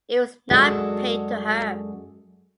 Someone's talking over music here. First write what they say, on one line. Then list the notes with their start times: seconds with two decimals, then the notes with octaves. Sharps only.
It was not paid to her.
0.51 F#2 G#3 D4 F#4 G#4 A4